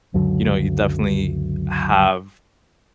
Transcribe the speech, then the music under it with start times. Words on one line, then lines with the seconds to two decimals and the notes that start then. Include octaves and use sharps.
you know, you definitely have
0.14 C#2 F#2 D3 F#3